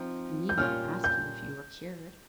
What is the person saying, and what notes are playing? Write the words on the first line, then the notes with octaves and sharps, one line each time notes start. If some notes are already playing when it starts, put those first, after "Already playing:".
I need not ask you if you were cured.
Already playing: F3 C4 D#4
G6
A#2 G3 C#4 F4 F6
G6